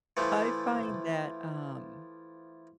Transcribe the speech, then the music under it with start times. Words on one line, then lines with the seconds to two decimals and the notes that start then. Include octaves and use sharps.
I find that, um,
0.17 E3 F3 A3